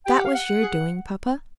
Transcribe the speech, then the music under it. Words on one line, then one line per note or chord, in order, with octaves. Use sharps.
That was your doing, papa.
G4 G5
F#5
F5
F#5
G#4